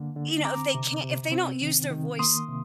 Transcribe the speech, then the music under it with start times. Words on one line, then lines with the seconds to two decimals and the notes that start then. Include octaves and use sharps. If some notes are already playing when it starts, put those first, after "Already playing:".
you know, if they can't if they don't use their voice
Already playing: D3 A#3
0.16 D3
0.45 C4 A#5 D6
0.75 C3
1.03 C3
1.32 C4
1.61 D#3
1.91 D#3
2.19 A#3 C6 D#6
2.48 C3